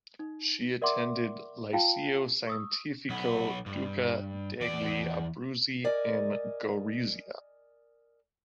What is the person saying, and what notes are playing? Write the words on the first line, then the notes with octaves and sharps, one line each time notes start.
She attended liceo scientifico Duca degli Abruzzi in Gorizia.
D#4
A#4 D5 E5 F#5 C6 D6
F4 F5 G5 A5
C#6 D#6 E6
B1 B3
G2
E2 D5
A#4 D5 D#5 G#5